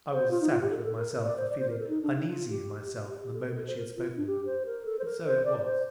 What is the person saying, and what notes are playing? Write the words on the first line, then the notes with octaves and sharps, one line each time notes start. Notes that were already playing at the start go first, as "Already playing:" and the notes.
I was savage with myself, for feeling uneasy in myself the moment she had spoken them--but so it was.
C5
F4
D#4
F4
G4
A4
A#4
A4
A#4
D5
C5
D5
C5
A#4
A4
D#4
D4
D#4
F4
G4
G4
G4
A4
A#4
A4
C5
A#4
F4
D4
G4
C5
A#4
A4
C5
A#4
C5
D5
D5
C5